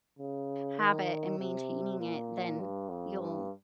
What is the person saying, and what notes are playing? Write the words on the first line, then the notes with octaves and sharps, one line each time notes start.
habit, and maintaining it, then you'll,
C#3
D#3
C3
A#2
G2
F2
G2